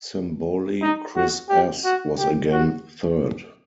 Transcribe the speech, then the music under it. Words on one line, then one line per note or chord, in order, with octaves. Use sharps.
Symboli Kris S was again third.
D#4
F#4
G4
F#4
G4
F#4